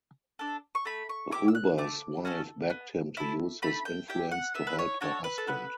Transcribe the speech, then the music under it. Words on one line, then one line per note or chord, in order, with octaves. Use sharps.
Huber's wife begged him to use his influence to help her husband.
D4 A4
C#6
A3 B5
C#6
E4 G4 D6
E6
F#6
A3 D6
C#4 F#4 A4
B3
E4 A4
A3 B5
G5
E4 G4 G5
F#5
B3 E5
B4
C#5
D4 F#4 A4 C#5
B4
A4
B3 B4